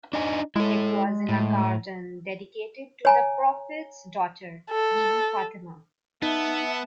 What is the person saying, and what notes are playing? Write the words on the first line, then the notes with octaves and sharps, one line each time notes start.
It was in a garden dedicated to the Prophets' daughter, Bibi Fatimah.
D4 D#4 G#5
G#3 E4 A4
A2
C#5 G#5 A#5
A4
B3 D#4 E5 A5